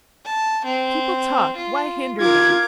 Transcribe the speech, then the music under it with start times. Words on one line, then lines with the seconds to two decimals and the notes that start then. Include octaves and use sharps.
People talk, why hinder them?
0.25 A5
0.65 C4
1.56 F4
2.20 F4 A#4 D6 G#6